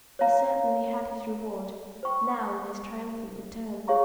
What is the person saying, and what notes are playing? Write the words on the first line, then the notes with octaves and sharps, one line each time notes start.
He certainly had his reward,--now in his triumphant return.
C#5 F5 A#5
C5 G5 C#6
G#4 C#5 F5 A#5 C#6